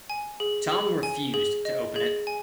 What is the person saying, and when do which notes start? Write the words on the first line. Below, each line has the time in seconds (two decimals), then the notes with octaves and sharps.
Tom refused to open it.
0.10 G#5
0.40 G#4
0.72 G#4
1.03 G#5
1.34 G#4
1.65 D#5
1.96 G#4
2.27 G#5